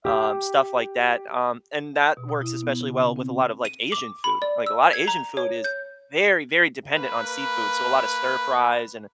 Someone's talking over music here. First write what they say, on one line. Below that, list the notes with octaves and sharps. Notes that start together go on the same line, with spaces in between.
um, stuff like that, um, and that works especially well with a lot of, like, Asian food, like, a lotta Asian food is very, very dependent on seafood, so a lot of stir-fries and
G4
B2
D#6
E4
B3
C#3
C#4
C4
D#7
D6
B5
D5
E6
G#6
A#5
C#5
G6
A#3 B4